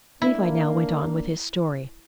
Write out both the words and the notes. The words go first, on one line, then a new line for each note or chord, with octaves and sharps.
Levi now went on with his story.
A#3 D4 E4